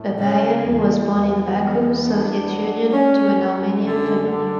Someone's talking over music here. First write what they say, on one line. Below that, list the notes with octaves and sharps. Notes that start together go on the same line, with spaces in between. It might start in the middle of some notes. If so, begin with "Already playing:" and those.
Babayan was born in Baku, Soviet Union to an Armenian family.
Already playing: A2
C#3
E2
E2
B3
D4
F#3
C#4
F#2
D3
D3